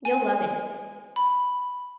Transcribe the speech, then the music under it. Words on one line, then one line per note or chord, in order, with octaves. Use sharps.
You'll love it.
G#5
B5